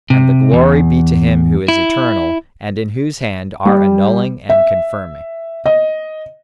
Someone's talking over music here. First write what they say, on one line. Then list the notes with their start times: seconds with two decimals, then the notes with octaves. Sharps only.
And the glory be to Him who is eternal and in whose hand are annulling and confirming.
0.10 C3
0.53 E2
1.68 E4
3.65 G3
4.49 E5
5.66 D#5